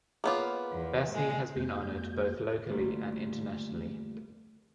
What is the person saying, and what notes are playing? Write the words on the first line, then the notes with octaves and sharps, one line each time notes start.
Bassey has been honoured both locally and internationally.
A#3 B3 F4 G#4 C#5 D6
E2
A#2 G#3
F2 G#3 A#3 F#4 G6
D3 G3 A3 A#3 F4 C5